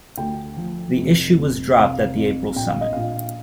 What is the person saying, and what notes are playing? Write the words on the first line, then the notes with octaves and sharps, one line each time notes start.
The issue was dropped at the April summit.
D2 G5
F3
F1
F1
F1 F5
F2
A#1 G5
F5
D#5
A#1 F5